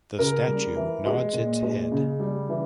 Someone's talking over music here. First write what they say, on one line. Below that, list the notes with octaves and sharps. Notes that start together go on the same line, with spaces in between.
The statue nods its head.
C#3 A#4
G3
E3
G#3
A#2
G#3
C#3
G3
E3